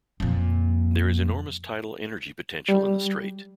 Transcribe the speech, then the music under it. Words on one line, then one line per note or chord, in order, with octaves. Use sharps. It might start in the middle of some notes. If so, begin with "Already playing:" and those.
There is enormous tidal energy potential in the Strait.
F2 A#2
G3